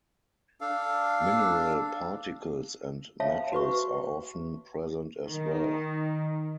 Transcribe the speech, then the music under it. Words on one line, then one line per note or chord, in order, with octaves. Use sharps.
Mineral particles and metals are often present as well.
D4 A4 F5
C#5 E5 F5 A5
F#4 B4 C#6
D#3